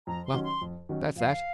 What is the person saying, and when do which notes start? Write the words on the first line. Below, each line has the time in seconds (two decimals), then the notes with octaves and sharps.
Well, that's that.
0.07 F2 A#5
0.25 C6
0.34 D#3 F#3 C#4 F#4
0.43 C6
0.61 F2
0.89 D#3 F#3 C#4 F#4
1.16 F2 F5